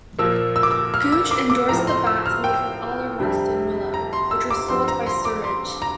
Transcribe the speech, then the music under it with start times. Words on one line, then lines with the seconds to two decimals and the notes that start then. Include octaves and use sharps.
Gooch endorsed the bats made from Aldermaston willow, which were sold by Surridge.
0.19 A#2 F3 A#3 E6
0.56 E6
0.63 D6
0.71 E6
0.94 F6
1.12 E6
1.31 D6
1.50 D6
1.69 A2 F3 C4 A#5
1.87 C6
2.07 E6
2.26 F6
2.44 G5
3.19 F2 C3 G3 D4
3.94 A#5
4.13 C6
4.31 E6
4.51 D6
4.69 G2 F3 C4 C6
4.88 A#5
5.06 C6
5.25 D6
5.44 C6
5.82 A#5